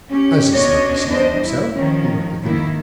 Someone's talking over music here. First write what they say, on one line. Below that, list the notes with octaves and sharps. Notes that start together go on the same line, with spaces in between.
As he slowly seated himself, he looked at the lady.
C#4 G4
B2 C#4 D4 C#5 D#5
E2 G3 B3 D4 C5 D#5
E4
D#3 F3 C#4
G#2 D#3 A#3 E4